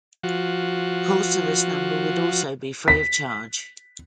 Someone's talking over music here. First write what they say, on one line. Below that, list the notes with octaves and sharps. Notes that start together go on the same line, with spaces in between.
Calls to this number would also be free of charge.
F3 F#4
B6